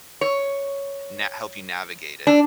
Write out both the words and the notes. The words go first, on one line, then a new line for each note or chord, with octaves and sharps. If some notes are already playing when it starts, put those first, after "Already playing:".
na help you navigate it.
C#5
D4